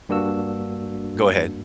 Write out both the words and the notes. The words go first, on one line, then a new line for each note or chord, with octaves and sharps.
Go ahead.
G2 A#3 D4 F#4 E6